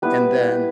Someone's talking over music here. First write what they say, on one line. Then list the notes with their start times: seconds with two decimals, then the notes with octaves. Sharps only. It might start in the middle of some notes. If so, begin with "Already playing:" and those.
and then
0.02 G3 B3 E4 B4